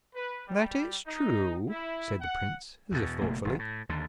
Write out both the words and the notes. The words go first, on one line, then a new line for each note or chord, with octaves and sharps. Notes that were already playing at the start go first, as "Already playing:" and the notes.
"That is true," said the Prince, as if thoughtfully.
B4
G3
D#4
E4
F#5
E2 B2
F#1 B2 A3 A#3
E1
A2
D#2 D3